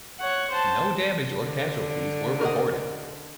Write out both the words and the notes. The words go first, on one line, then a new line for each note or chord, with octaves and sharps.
No damage or casualties were reported.
C#5 F#5
C5 A5
D3
A#4 D#5 F#5